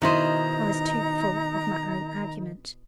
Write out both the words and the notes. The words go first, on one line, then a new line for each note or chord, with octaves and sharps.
I was too full of my own argument.
B2 D#3 D#4 E4 C5 D#5 A#5